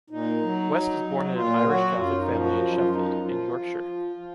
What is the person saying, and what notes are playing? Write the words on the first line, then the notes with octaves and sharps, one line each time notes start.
West is born in an Irish Catholic family in Sheffield, in Yorkshire.
A#2 D#4
F#3
F#3
F#3
A#2 F4
F#3 F#4
F#2 F4
D#4
F3
F#4
F#2 F4
D#4
F4
F3 D#4
F3 F4
F3
F3
F3